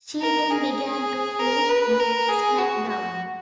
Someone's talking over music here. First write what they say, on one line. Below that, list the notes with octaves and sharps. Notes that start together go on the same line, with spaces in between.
She then began to feud with SmackDown!
A#4
G#4
A#4
B4
A#4
G#4
F#4
F#4